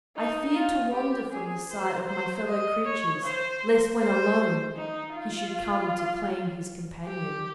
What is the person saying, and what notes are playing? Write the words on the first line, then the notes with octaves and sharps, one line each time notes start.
I feared to wander from the sight of my fellow creatures lest when alone he should come to claim his companion.
D#4
F4
G4
G#4
C5
C5
D#5
C#5
C5
C5
D#4
F4
G4